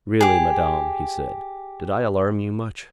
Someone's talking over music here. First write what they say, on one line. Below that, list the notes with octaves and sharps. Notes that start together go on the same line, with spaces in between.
"Really, madame," he said, "did I alarm you much?"
G4 G#4